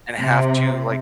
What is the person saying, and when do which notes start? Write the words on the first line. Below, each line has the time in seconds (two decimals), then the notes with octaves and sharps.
and have to like
0.21 C3